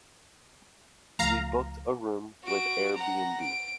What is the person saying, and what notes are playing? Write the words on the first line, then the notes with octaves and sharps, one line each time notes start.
We booked a room with Airbnb.
C#2 F3 A3 F5 A#5
F#4 D7
F#5 A#5
D7